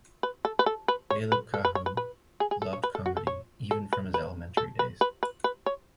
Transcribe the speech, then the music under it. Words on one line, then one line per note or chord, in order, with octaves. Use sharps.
Alebcahew loved comedy even from his elementary days.
B4
A4
B4
A4
B4
C#5
B4
A4
B4
C#5
B4
B4
G#4
G#4
A4
C#5
B4
A4
F#4
A4
C#5
A4
B4
B4
A4
B4
B4
B4
B4
C#5